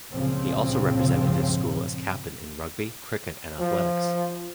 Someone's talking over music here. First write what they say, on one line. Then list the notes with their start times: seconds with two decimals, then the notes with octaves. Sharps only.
He also represented his school as captain in Rugby, Cricket and Athletics.
0.12 C#2 G2 A#2 C#3 F3 C4
3.59 F3